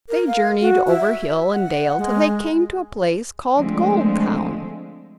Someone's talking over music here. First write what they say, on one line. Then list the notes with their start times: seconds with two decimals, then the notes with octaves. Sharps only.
They journeyed over hill and dale till they came to a place called Goldtown.
0.09 A#4
0.27 F5
0.61 F#4
0.88 E5
1.53 F#5
1.98 G#3
3.55 D3 F3 G#3 A3 C4